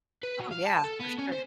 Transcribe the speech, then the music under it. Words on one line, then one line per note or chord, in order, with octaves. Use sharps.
Oh, yeah, for sure.
B4
F#3
F5
A5
A4
B3
C#4
C5